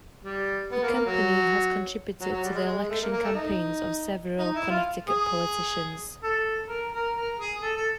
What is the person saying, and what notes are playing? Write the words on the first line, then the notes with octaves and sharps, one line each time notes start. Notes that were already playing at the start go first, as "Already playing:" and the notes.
The company has contributed to the election campaigns of several Connecticut politicians.
G3
B3
A#3
A#3
F#3
F#3
F#3
G3
G#3
G#3
G#3
A3
A#3
A#3
A3
D#4
D#4
E4
F4
G#4
A4
A#4
A#4
A#4
G#4
A4
A4